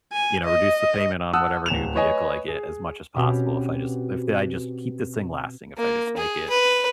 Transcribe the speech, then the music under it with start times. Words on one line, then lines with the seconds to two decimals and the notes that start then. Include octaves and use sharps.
you know, reduce the payment on whatever new vehicle I get as much as possible, if I just if I just keep this thing lasting, if I just make it
0.13 G#5
0.45 D#5
1.33 F#5 A5 D#6 E6 F#6
1.66 D1 E7 F7
1.95 B4 C#5 D#5 G#5
2.48 G#4
3.15 B2 C4 C#4 F#4 G4 B4
5.77 A#3
6.17 G#4
6.50 B4